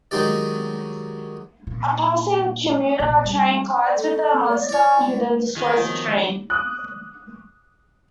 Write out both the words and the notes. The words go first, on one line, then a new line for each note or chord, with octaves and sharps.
A passing commuter train collides with the monster, who then destroys the train.
D#3 F#3 G#3 D#4 G4 D5
A#2
A#1
G3
A4
B3
E4 C#5 D5
D#3 G#3 F4
F3 F#3 B3
B5 C6 D6
D6 D#6 F#6